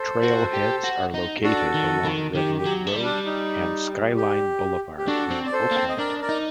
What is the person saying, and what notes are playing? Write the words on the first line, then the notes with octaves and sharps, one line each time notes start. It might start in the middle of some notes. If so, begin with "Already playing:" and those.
Trailheads are located along Redwood Road and Skyline Boulevard in Oakland.
Already playing: A4 C5
F#4
G4
F#4
D#4
D4 F#4 A4
D#3
D#3
D#3 G4
G4
F#3
A3
G3
D4
D#4
G4
G4
D4 F#4 A4
C4
D5
A4 C5
A#3
C4
D#5
D4 A#4 D5
A#4 D5
D#4